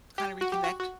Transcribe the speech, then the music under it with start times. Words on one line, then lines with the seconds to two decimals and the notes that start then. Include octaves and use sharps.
kinda reconnect
0.18 G4
0.41 F#4
0.52 G4
0.64 F#4
0.80 F#4